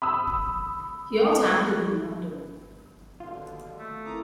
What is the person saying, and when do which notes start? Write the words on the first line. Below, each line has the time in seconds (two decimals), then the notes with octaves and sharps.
He also acted in London.
0.02 B5 D#6 E6
3.20 D#2 B2 D3 F4
3.79 A3
4.05 C4 E4 A#4 A#5 D6 D#6